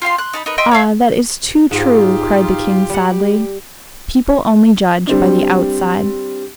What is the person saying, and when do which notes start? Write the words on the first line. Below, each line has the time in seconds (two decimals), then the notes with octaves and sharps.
"Ah, that is too true!" cried the king, sadly, "People only judge by the outside."
0.02 F4 G4 F5 C6
0.18 C6 F#6
0.33 D#4 A5 B5
0.46 D#4 A#4 B4
0.58 D#5 E5 G5 C6
0.71 C#5 E5 F5
1.71 G#2 D#4 F4 G4
2.90 G3 F#5
5.07 G3 C4 D4